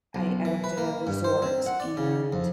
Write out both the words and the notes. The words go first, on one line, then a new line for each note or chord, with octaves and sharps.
I I worked at a resort, and
B1
E3
B4
A#3
G2
C5
C4
F#5
D5
C#3
F2